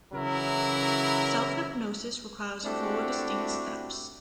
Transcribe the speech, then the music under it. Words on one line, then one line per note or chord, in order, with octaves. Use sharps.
Self-hypnosis requires four distinct steps.
C#3 E3 F#3 E4 A#4
A3 C4 D4 E4 F#4 G4